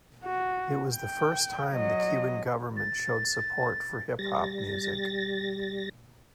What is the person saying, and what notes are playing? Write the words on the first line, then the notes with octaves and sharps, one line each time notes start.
It was the first time the Cuban government showed support for hip hop music.
F#4
G5
F#3 D#5
A6
G3 A6 A#6